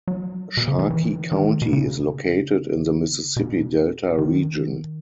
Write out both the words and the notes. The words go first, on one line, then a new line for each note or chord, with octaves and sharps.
Sharkey County is located in the Mississippi Delta region.
F#3
B2
C#3
D#3
E3
D#3
B2
C#3
B2
D#3